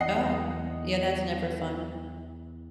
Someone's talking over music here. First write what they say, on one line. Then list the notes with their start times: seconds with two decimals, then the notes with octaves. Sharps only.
Oh, yeah, that's never fun.
0.01 E2 D#5 F#5 C7